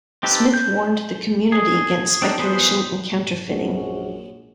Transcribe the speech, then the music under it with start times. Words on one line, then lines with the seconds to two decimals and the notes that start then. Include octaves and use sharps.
Smith warned the community against speculation and counterfeiting.
0.23 C4 D#4 G4 A4 B4
0.54 G6
1.52 G#4
2.22 C4 D4 D#4
2.38 F3 B3 G#4 B4 C5
3.48 A#1 F#2 G#3 C#4 F#4